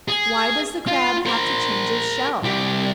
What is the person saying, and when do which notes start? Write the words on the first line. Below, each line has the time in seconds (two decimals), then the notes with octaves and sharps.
Why does the Crab have to change its shell?
0.08 G#4
0.87 F4
1.26 A#4 C5
2.43 C2 G4